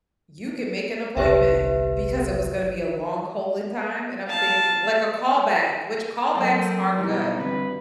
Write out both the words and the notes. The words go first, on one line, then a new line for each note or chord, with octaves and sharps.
"You can make an appointment" because it was gonna be a long holding time and I'm thinking like a callback, which callbacks are good
G1 C2 G4 B4 E5
F5 A5
F#3 A#3 C4 A4
B1 E3 G3 D#4
D2 G2 C4 B4